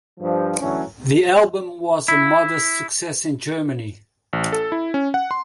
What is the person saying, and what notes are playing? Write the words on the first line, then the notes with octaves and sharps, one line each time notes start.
The album was a modest success in Germany.
G2 F3
D3 E3 F#3 A3 C#4
E4
A1
A4
E4
C#4
F#5
C6